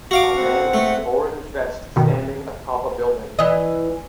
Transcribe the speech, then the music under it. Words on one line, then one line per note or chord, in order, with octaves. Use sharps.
A man in an orange vest standing atop a building.
F#4 F5 D6
C4 F#5
A3
G2 B2 D#3
E3 D#5